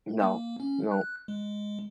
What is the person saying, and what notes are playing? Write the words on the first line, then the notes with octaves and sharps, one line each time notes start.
No. Nope.
A#3
C#4
F#6
G#3